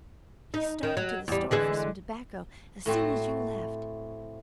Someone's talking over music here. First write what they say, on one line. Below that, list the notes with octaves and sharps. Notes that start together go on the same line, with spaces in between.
He started to the store for some tobacco as soon as you left.
D#4
D#3
F#3
E2 G3
D3 E3 G#3
A2 A3 C4 F#4